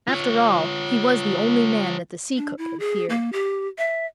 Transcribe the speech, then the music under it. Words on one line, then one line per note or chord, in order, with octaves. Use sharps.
After all, he was the only man that the Sea-Cook had feared.
F4 C#5
D4
E4
G#4
A#3
G4
E5